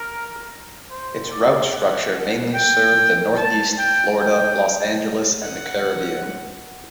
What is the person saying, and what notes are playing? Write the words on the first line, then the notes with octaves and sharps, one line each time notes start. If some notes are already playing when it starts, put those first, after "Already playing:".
Its route structure mainly served the Northeast, Florida, Los Angeles and the Caribbean.
Already playing: A#4
C5
D5
F#5
G5
A5
G5
G5
F#5